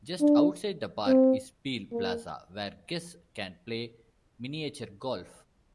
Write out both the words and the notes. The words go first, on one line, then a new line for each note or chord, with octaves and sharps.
Just outside the park is Peel Plaza where guests can play Miniature Golf.
D4
C4
A#3